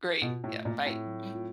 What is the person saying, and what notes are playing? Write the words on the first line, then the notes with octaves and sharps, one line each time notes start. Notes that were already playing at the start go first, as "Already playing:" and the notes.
Great. Yeah, bye. Mm
B2 F4
A2
A3
A#2
C4
A2
F#3
F4